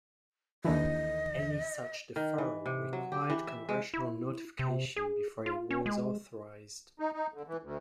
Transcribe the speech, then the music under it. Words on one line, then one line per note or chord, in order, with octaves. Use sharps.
Any such deferral required congressional notification before it was authorized.
D#2 D3 E3 D#5
D#3
E3
C3
F#3
G4
E3
E5
G#3
E4
C3
G#4
F4
C#4
G#3
D#4
D#4
D3
E3
D2